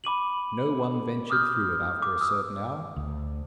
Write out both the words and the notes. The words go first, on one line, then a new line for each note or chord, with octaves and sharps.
No one ventured through it after a certain hour.
B5 D6 D#7 F#7
D6 D#6 F6 G6
D6
D#6 E6
D2